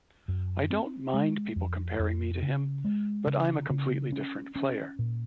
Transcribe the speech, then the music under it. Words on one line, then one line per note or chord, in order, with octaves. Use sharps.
I don't mind people comparing me to him but I'm a completely different player.
F#2
C4
G#3
F2
F2
C#3
G#3
C#3
C#3
C#4
C#4
A#2